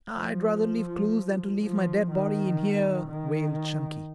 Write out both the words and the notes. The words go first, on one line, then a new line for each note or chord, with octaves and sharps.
"I'd rather leave clues than to leave my dead body in here," wailed Chunky.
F3
F3
D#3
D#3